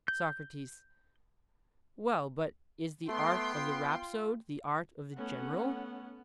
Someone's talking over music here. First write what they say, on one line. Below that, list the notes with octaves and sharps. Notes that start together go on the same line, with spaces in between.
SOCRATES: Well, but is the art of the rhapsode the art of the general?
G6
A3 B3 G5 C6
F4
A3 B3 C#4 F#5